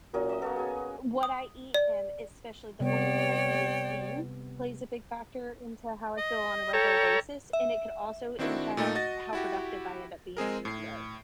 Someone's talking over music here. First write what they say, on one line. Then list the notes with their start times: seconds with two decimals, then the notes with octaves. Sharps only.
what I eat and especially the order that I eat it in plays a big factor into how I feel on a regular basis and it could also impact how productive I end up being in that day,
0.14 A#2 F#3 C#4 D#5
0.29 D#5 D#6
0.42 A#3 B3 F#4 A4
0.56 G#4 G#5
1.23 D#6
1.74 D5
2.80 C3 G3 B3 C#5 D5 G5
6.17 D#5
6.73 A4 C#5 G5 A#5
7.53 E5
8.39 D#3 C4 D4 E4 F#4
8.77 A#2 A3 D#4
8.95 F#4 D#5 A6 A#6
9.33 E4 F#4 G4
10.37 G#3 C4 G#4 A#4
10.65 A2 C7